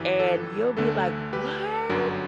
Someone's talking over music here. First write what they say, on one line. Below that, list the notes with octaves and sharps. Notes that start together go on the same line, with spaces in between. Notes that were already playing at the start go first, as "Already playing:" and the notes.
And you'll be like, "What?"
Already playing: G1 F#2 E3 G4 B4
A4
D2 D3 A3 A4
G4 B4
G1 F#2 D3 F#3